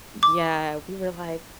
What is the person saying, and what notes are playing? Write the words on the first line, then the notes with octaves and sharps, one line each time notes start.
Yeah, we were like,
D6